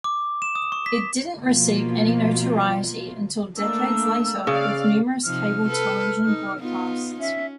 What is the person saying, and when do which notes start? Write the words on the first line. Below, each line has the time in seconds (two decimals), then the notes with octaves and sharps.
It didn't receive any notoriety until decades later with numerous cable television broadcasts.
0.04 D6
0.42 E7
0.55 D#6
0.72 C#6
0.86 B6
1.41 B2 F3 A#3 F4
3.57 A3 A#3 D4 E6
4.47 C#3 D5 F5
5.24 C3 F3 D#4 F6
5.69 A4 B4
6.26 D#4
6.58 B3 D#4 F4
7.20 C#4 E5